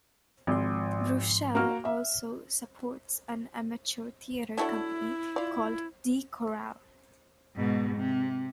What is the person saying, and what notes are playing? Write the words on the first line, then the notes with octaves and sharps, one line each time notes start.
Bruchsal also supports an amateur theater company called Die Koralle.
G#1 G#2 F3 C6
A#3 F#4 F6
E5
F#3 A3 D4 E4
F4 D5
G#2 B2
C3